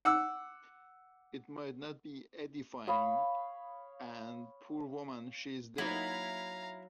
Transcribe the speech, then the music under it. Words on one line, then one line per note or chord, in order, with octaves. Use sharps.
It might not be edifying and, poor woman, she is dead.
F#5 D6 E6
C#5 F5 B5 D#6
F#3 A#3 D#4 E4 F5 A#5